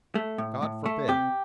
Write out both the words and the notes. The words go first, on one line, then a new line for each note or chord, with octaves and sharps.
God forbid.
A3
A2
A2
A3
C3 G4